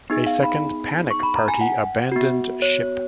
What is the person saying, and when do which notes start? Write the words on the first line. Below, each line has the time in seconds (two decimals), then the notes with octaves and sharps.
A second "panic party" abandoned ship.
0.10 B3 D#4 G#4
0.27 F5
0.44 B5
1.11 C#6
1.23 B5
1.36 A#5
1.48 G#5
1.61 F#5
2.12 B3 F#4
2.62 C#5